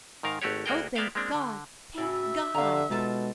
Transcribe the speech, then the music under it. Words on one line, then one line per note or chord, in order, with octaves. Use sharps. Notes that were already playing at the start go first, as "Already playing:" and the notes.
Oh, thank God, thank God!
G#2 D#3 A#4 F5
G#1 A3 F#4 G4 C#5
D2 A#3 F#4 G#4 A#4 G5
A#3 B3 D5 E5 F5 G5
G#3 A#3 C4 D4
D3
A2 C#3 F#4 E5
D3 G4 F5 A#5
B2 G#3 D#4 F4 A4